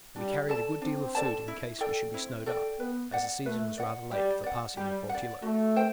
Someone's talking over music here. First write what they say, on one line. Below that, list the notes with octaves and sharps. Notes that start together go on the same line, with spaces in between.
We carried a good deal of food in case we should be snowed up, as the season was rather late for passing the Portillo.
G3 D4
A4 D5 A5
C4 D4
A4 D5 A5
E4
A4 D5 G5
C4 E4
A4 D5 G5
B3 B4
D5 F#5
A3 B4
D5 F#5
G3 G4
D5 F#5
G3 G4
F#5
D5
A3 F#4
C5 G5